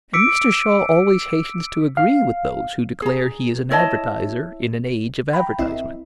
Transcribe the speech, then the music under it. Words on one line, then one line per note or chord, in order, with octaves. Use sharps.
And Mr. Shaw always hastens to agree with those who declare he is an advertiser in an age of advertisement.
D6 E6 B6 C#7 D7
F5
G#4 A#5
E4 C#5 D#5 A5
F5 G5 A#5 B5
A#1 C4 E4 D#5 E5